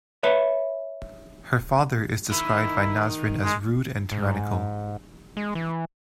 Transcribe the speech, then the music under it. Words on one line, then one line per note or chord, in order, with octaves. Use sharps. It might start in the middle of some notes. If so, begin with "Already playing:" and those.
Her father is described by Nasrin as rude and tyrannical.
B4 C#5 E5 B5
D#3 E4
G#3
G#2
G#3
E3